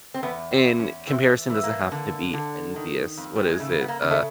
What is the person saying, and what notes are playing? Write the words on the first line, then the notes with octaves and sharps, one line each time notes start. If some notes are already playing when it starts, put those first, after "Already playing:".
And comparison doesn't have to be envious. What is it? Uh,
C4
E2 B3
C4
E2
C#4
E3 C4
E3
A#3
D3
D3
D#3
F2
G3
G#3
C#3 A3
B3
A#3
C#3
A3